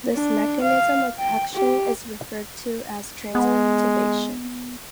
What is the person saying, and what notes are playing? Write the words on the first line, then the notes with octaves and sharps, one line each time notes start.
This mechanism of action is referred to as transactivation.
D4
F5
G5
G4
G#3 B3